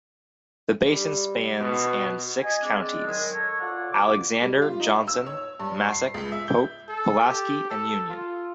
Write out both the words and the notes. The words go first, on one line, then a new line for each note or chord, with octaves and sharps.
The basin spans and six counties: Alexander, Johnson, Massac, Pope, Pulaski and Union.
G3
B2
D#5 G#5
G#3 C4 D4
D#3 F#3 G#3
A4 C#5
F4 A4 C#5 D5 F#5
F2 C3 D6
G3
F4
D#4
E6
C#5
G2
C7
C#2
E5
G6
A4
G4
A4
F4